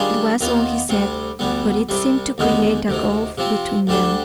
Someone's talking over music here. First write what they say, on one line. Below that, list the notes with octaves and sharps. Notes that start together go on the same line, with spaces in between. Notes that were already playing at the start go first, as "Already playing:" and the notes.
It was all he said, but it seemed to create a gulf between them.
Already playing: D#3 G3 D4 F4 G#4
D#2 D#3 B3 F4
D2 C3 G3
D2 D3 G3 B3
C2 C3 G3
D#2 D3 G#3 B3 D#4
D2 C3 D#3
C3 F3 C4
D2 D3 G3 D4 G4